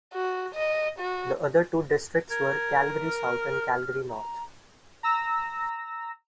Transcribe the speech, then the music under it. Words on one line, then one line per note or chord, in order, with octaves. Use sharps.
The other two districts were Calgary South and Calgary North.
F#4
D#5
F#4
A#4 G#6
F6
A#5
A#5 E6 A#6